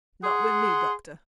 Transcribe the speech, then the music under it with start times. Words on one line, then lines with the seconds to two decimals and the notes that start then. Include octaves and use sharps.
'Not with me, Doctor.
0.24 G#4 F#5 C6